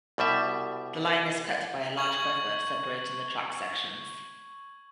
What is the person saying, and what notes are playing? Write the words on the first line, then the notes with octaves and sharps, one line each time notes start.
The line is cut by a large buffer separating the track sections.
C2 B2 G3 E5
C#6 G#6 F#7